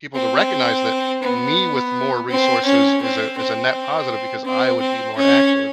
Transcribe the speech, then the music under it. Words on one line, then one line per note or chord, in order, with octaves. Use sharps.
people to recognize that me with more resources is a is a net positive because I would be more active
C4
B3
C4
C#4
C4
C4
C4
C4
C#4